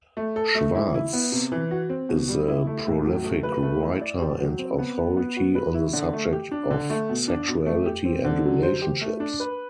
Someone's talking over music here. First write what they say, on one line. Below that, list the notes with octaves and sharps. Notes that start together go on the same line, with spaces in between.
Schwartz is a prolific writer and authority on the subject of sexuality and relationships.
A3
A4
A3
E4
E4
B3
C3
E3
F#4
C4
B2
G3
E4
A3
A2
F#3
A3
B4
A3
E4
D5
G4
F#3
C4
B3
B4
B3
F#4
B4
E4
D3
A3
G4
D4
D3
A3
B2
D4
B2
A3
G4
C4
D3
F#3
C5
G4
A3
D4
B4